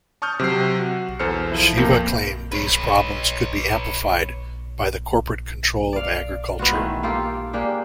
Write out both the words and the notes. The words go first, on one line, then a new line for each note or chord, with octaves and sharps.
Shiva claimed these problems could be amplified by the corporate control of agriculture.
A5 C#6 D#6 F6 G6
C3 F#3 C7
F#4
E2 A4 C5 F6 C#7
F3 E4
F2 A#3 G6 A#6
B4 C#5
D5 F5
B3 F4 F#4
D#3 E3 A3
A#3 F4 G4 A4
A#3 D4 G4 G#4